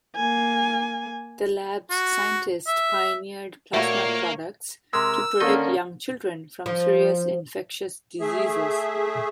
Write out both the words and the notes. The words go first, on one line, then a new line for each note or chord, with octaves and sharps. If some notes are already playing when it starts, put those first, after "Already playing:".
The lab's scientists pioneered plasma products to protect young children from serious infectious diseases.
A#3 G#5
F#4
E5
A#2 A3 A#3 F#4 C#5 E5
C3 G#3 A#4 E6
D3 D#3 A#3 C#4 A4 D#5
F3
A3 G#4 E5